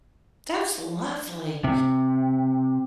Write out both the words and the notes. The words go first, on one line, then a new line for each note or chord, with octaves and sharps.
That's lovely.
C3